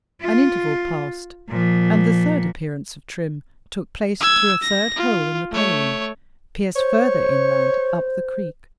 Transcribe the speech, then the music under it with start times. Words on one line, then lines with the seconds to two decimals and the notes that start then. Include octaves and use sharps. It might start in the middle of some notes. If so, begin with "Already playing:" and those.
An interval passed, and the third appearance of Trim took place, through a third hole in the paling, pierced further inland up the creek.
0.22 F4
1.50 A#2 F3
4.21 E6 G#6
4.62 A#6
4.96 F4
5.52 A3 C#5
6.76 C5 C#5